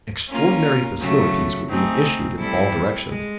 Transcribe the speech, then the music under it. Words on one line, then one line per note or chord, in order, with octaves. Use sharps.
Extraordinary facilities were being issued in all directions.
A#3 C#4 F4 A#4
C#3 F#3 A3
A3 C4 D#4 G#4
G3 C4 E4 A4
G#3